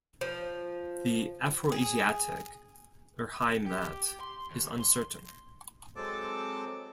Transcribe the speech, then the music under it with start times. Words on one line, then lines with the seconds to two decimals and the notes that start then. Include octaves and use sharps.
The Afroasiatic Urheimat is uncertain.
0.21 F3
1.72 G#4
3.66 G4
4.21 C6
4.51 D#2
4.80 C6
5.96 F#3 G#3 C4 A4 A5 D6